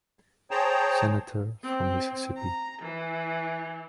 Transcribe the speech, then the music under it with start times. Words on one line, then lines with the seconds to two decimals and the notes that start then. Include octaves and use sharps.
Senator from Mississippi.
0.51 G#4 C5 C#5 G5 A5 A#5
1.63 C4
2.37 A#5
2.82 E3